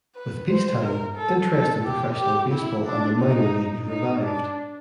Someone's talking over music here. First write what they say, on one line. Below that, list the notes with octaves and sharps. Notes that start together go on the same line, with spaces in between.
With peacetime, interest in professional baseball and the minor leagues revived.
B4
C5
A#4
A4
A4
G4
G4
E4
D4
D#4
D#4
D4